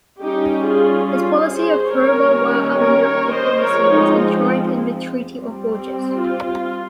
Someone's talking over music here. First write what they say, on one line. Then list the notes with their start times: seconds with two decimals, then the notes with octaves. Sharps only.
His policy of pro-Valois Armagnac diplomacy was enshrined in the Treaty of Bourges.
0.22 G3 C#4 D#4 G4
0.64 F4 G#4
1.07 F4
1.49 G#4 C5
1.91 D#3 G3 A#3 C#4 A#4 C#5
2.76 A#4 C#5
3.04 A#4 C#5
3.33 C5 D#5
3.61 F3 G#3 C4 A#4 C#5
3.89 D#4
4.17 D#4
5.31 G3 C4
6.15 F4
6.43 F4